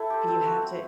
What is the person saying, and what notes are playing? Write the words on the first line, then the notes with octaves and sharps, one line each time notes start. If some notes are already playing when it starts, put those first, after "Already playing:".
You have to
Already playing: A3 E4 A4 E5
G4 C5
C4
F#4 B4
C4